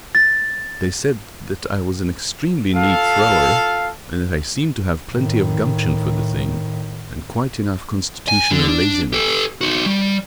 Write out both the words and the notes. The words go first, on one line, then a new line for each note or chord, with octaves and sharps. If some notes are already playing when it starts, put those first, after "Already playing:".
They said that I was an extremely neat thrower, and that I seemed to have plenty of gumption for the thing, and quite enough constitutional laziness.
A6
F4 A4 F5
A2 D#3
G#5
D3
D4
G4 A4
D#4 F#4
G3